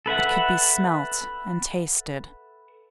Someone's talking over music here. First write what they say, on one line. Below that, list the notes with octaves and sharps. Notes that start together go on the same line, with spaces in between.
It could be smelt and tasted.
A4 B4 E5 F#5